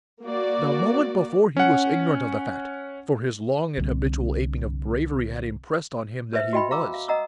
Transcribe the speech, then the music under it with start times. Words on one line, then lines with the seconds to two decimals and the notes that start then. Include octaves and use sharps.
The moment before he was ignorant of the fact, for his long and habitual aping of bravery had impressed on him that he was.
0.22 A#3 F#4 D5
1.57 C#4 F#5
3.77 C2 D3
6.33 B4 C5 E5
6.53 F#4 D#5 G5 B5
6.71 F5 A#5 D6 E6
6.94 F5
7.08 D#5 F#5 A#5 D#6 E6